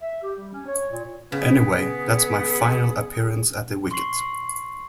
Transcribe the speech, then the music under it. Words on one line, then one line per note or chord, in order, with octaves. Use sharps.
Anyway that's my final appearance at the wicket.
E5
G4
G3
C#4
C#5
A#2
C#3 B3 G#4
C6 C#6 C7 F#7